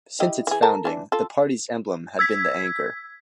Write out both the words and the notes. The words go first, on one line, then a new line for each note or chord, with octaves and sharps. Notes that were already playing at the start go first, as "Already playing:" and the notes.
Since its founding, the party's emblem had been the anchor.
E4 G4 D#5
E3 G#4
A4 A#4 A5
E3 D4
F4 A4
E6 G#6 B6